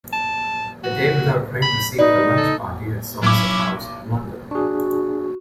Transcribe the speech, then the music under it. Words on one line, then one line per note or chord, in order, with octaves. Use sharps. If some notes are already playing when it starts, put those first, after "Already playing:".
"A Day Without Rain" received a launch party at Somerset House, London.
A5
F#4
B5
D#4 B4 D5
A4
B1 F#3 C#4 E4 D6
D4 F#4 G#4 C#6